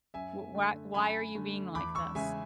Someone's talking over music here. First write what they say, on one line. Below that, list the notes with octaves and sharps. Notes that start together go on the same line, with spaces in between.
Wh why why are you being like this?"
F#2 E5 G#5
D3 A3
F#2 G#5 B5
D3 A3
E2 B5 D6
C#6 E6
C#3 G#3 E5 G#5